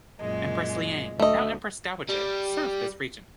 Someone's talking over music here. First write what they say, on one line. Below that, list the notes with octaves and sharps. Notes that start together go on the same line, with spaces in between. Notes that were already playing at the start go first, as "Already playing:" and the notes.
Empress Liang, now empress dowager, served as regent.
F#2 A#2 G#3
D2 A3 D#5
G3